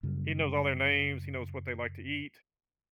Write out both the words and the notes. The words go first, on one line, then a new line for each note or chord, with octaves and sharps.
he knows all their names, he knows what they like to eat.
F#2 C#3 G3